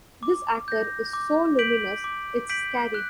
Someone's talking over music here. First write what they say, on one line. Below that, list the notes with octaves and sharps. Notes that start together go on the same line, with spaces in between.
This actor is so luminous it's scary!
D6
G6 A#6
D6
G6 B6 D7 F#7
D6
G6 B6 D7 F#7
F#6